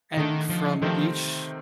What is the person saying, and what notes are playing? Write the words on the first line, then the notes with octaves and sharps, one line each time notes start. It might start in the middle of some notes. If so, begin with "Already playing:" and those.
and from each
D3 D#3 A3 D#4
F3
C3 D#3 F3 A3 C4